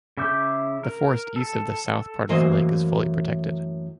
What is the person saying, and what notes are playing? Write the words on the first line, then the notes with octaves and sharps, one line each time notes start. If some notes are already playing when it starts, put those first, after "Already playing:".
The forest east of the south part of the lake is fully protected.
C#3 E4 E5 D6 G6
A#4
A4
F#2 A2 E3 A#3 C5 D#5